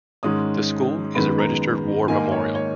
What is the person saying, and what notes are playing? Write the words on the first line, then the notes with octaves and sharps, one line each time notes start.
The school is a registered war memorial.
G#2 D#3 G#3 C#4 D#6
F#2 D#3 G#3 B3 B5
A#5
G#2 D#3 A#3 D#4 G#5
C#5
C#5